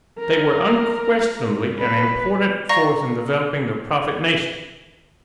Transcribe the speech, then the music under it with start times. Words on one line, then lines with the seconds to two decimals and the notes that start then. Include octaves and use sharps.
They were unquestionably an important force in developing the prophet nation.
0.19 A#4
1.79 B4
2.69 D5 F5 A#5 C#6 A#6